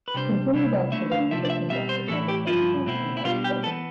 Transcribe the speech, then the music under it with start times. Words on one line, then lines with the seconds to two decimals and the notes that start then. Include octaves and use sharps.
Continued activities are conducted by the President and Vice-President.
0.08 B4
0.14 C3 G3 D4 C5
0.54 C3 G3 C4 E4
0.92 D3 A3 E4 E5
1.12 F5
1.31 C3 F3 A3 D4 E5
1.45 D5
1.50 E5
1.69 B2 G3 C4 E5
1.89 C5
2.08 A2 E3 A3 E4 A4
2.28 G4
2.47 G2 F3 C4 E4 F4
2.86 B2 A3 C4 E4
3.17 E4
3.24 B2 G3 B3 D4 F4
3.44 G4
3.63 E3 B3 A4